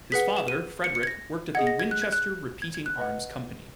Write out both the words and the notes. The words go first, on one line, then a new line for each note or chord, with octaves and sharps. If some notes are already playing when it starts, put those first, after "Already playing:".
His father, Frederick, worked at the Winchester Repeating Arms Company.
G#4 B4 F#5 B6
E7
D#7
C#7
C#7
G#6
A#6
G#4 D#5 F#5 G#6
A#6
G#6
F#6
G#6
F#6
G#6
G#6
F#6
B4 D#5 F#5